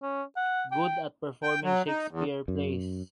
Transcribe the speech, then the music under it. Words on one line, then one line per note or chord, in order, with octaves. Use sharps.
Good at performing Shakespeare plays.
C#4
F#5
G5
G5
F#3
D#4
E2
F#2